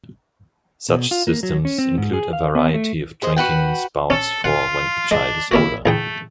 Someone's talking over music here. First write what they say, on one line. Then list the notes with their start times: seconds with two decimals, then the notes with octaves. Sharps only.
Such systems include a variety of drinking spouts for when the child is older.
0.89 B2
1.11 F4
1.27 A#3
1.43 F#3
1.65 C#4
1.78 C4
1.98 G#2
2.14 G#4
2.33 F5
2.55 B3
2.74 A3
3.22 G#4 C5 D#5
3.36 F#4 B4 F#5 G5
4.10 C#4 A4
4.44 F4 F#5
5.11 G#3 D4
5.52 D#2 A#3 E4 F#4
5.86 A1 A3 G#4 G5